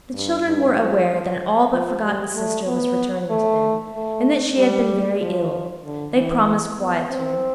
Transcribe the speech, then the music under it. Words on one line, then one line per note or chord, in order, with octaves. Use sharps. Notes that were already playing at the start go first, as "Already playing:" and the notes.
The children were aware that an all but forgotten sister was returning to them, and that she had been very ill; they promised quietude.
G2
G2
F3
F3
G3
A3
B3
A3
A3
G3
F3
D3
E3
B3
C4